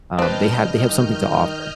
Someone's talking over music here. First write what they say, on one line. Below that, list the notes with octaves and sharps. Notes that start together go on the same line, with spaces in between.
um, they have, they have something to offer.
G2 C4 B4 D#5 A5 F6 G6
D#3